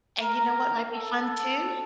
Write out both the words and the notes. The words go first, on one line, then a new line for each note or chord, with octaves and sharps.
And you know what might be fun too?
A#4
A4